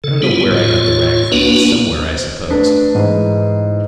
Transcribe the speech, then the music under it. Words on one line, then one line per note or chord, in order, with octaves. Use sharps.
"I don't know where I got the rag from--somewhere, I suppose."
C#3 A4
G3 B3 E4 F4
A2 F4 C#5
A#3 B3 D4 E4 F#4 B4
C5
A3 D4 B4
G#2 E3 C5 D#5